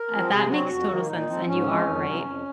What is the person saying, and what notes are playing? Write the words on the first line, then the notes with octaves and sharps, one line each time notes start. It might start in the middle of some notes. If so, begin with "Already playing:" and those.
Ah, that makes total sense. And you are right
Already playing: A#4
F3 C4
C3 G#4
F#3 C4 F#4
F2
D#3 A#3
A#2 D#4
F3 C4
G#2 C#4
F3 G#3 C4
F2
C3 F#3
F2